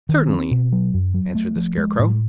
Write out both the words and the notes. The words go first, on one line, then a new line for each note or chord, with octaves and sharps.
"Certainly," answered the Scarecrow.
D#3
C4
B2
F#3
F#2
F#3
A3
F3
G#3
A2